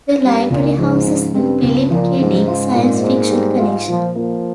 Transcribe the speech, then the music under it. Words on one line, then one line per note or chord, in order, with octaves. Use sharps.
The library houses the Philip K. Dick science fiction collection.
G2 C4
C#2 A#2
G#2 F3
C#3
G2 C4
C#2
A#2 F3
G#2 C#3
F4
A#2
A#3
G3
G#2 F4
A#2 F3
F3 A#3